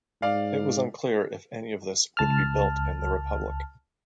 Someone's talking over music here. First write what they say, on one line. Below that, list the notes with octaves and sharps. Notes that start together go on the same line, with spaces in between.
It was unclear if any of this would be built in the Republic.
G#2 D5 F5
C#2 A5 F6